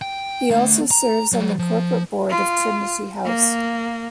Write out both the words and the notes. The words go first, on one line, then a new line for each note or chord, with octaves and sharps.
He also serves on the Corporate Board of Trinity House.
G5
A3 D4
A#5
F#3 G3
F3
F4
A#3